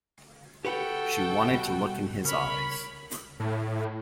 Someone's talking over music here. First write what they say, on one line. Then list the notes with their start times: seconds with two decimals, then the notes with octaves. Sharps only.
She wanted to look in his eyes.
0.65 F#4 G4 A4 B4 F#5 G5
1.50 B2 G3
2.25 C#3 A#4 C#5 B5
3.40 A2